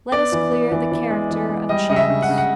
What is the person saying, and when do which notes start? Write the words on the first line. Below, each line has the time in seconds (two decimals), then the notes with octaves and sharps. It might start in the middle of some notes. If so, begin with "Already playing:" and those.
Let us clear the character of chance.
0.12 B3 D5
0.32 E3
0.52 B3
0.71 E3
0.92 E3
1.10 G#3
1.30 E3
1.49 G#3
1.69 G3 D#5
1.89 C#3 D#5
1.96 E5
2.09 C#3
2.22 F#5
2.29 C#3
2.38 F#5